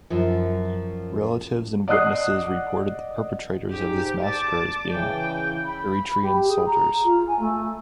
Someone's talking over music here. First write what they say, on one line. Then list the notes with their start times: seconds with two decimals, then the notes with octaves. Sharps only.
Relatives and witnesses reported the perpetrators of this massacre as being Eritrean soldiers.
0.10 F#2 F3
1.88 D5 D#5 F#5 D#6 F#6 C7
3.70 G#2 G4
4.24 D5 A5 D6
4.92 C#3 E3 G5
5.65 B5
6.22 G4
6.48 G#4
6.66 A#5
7.04 F4
7.27 G#5
7.40 A3